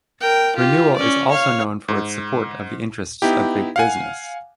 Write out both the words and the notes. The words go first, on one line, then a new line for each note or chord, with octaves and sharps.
Renewal is also known for its support of the interests of big business.
A#4 G5
F4 G4
C#4 D5
C#5 F5
G#2
B3 D#4 E4 G4
F5 F#5 G#5